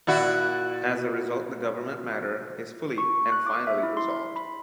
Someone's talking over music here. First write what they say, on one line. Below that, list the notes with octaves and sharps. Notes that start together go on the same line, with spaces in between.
As a result, the government matter is fully and finally resolved.
A#2 E4 F#4
C#6
F#6
D6
E5
E4
C6
B5